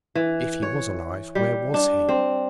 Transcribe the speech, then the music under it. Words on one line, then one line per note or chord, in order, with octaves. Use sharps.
If he was alive, where was he?
E3
C#5
G3
D4
C4